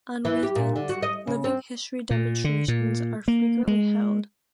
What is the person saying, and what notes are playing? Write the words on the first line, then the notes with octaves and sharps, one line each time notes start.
On weekends, living history demonstrations are frequently held.
E3
G4
A#2
D3
F#4
D#5
C#3
C4
A#2
D3
A#2
A#3
G#3